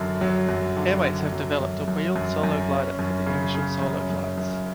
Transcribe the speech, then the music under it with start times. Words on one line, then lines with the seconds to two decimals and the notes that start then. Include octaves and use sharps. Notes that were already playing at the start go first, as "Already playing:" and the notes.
Airways have developed a wheeled solo glider for the initial solo flights.
Already playing: F#2 D3 F#3
0.21 F#3
0.49 F#2
0.77 D3
1.05 D3
1.33 F#3
1.60 F#2
1.88 F#2
2.16 F#2
2.43 F#2
2.71 C#4
2.99 F#2
3.26 C#3
3.55 C#3
3.82 F#2
4.10 F#2
4.38 F#2